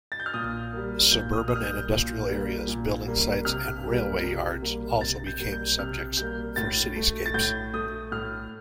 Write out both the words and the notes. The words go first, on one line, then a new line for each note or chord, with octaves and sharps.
Suburban and industrial areas, building sites and railway yards also became subjects for cityscapes.
A6
G6
F6
A#2 D#6
G3 A#3
A#2 G6
D#6
F6
D#6
G3 A#3 F6
G6
A#2
G3 A#3
A#2
G3 A#3
C3 F6
G3 A#3
C3
G3 A#3
C3 A6
G6
G3 A#3
G6
C3 F6
G3 A#3 G6
A2 A6
A3
A6
A2 G6
A3 D#6
A2 F6